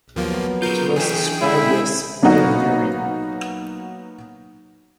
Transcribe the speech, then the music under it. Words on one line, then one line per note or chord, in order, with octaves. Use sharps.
It was described as "pioneering".
D#2 F3 F#3 A#3 B3
F4 G#4 A#4 G6
E3 D4 G#4 E5 G5
C#3 G#3 E4
F#3 A#3 B3 D#4 F#4